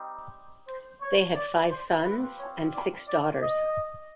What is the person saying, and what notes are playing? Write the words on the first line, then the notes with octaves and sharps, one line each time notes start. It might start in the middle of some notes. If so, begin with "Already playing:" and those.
They had five sons and six daughters.
Already playing: G3 C4 D#4 G4
C5
C#5
D5
C5
G3 C4 F4 B4
C#5
D5
D5
D#5